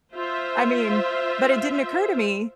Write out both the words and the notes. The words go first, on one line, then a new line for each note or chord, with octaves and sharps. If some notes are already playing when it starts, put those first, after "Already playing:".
I mean, but, it didn't occur to me,
F4 C5 E5